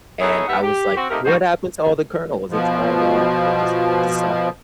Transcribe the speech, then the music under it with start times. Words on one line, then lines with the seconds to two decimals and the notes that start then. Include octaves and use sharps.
and I was like, "What happened to all the kernels? It's all gone." It just dissolved.
0.21 B3 D#4 E4 G#4 A4 C#5
0.48 D#2 G3 B3 E5 F#5
0.63 G4
0.96 C4 F#4
1.10 C3 A3 A#3 D#4 G4 A#4
1.25 F3 G3 D#4 F#4 G#4 C5
2.50 B2 F3